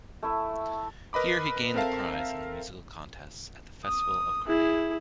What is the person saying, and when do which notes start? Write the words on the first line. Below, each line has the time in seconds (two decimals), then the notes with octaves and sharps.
Here he gained the prize in the musical contests at the festival of Carnea.
0.23 A3 E4 E5
1.13 A#4 B4 D#5 B5 D6
1.74 C4 A4 A#4 E5 F5 A5
3.85 D#6
4.47 E4 G#4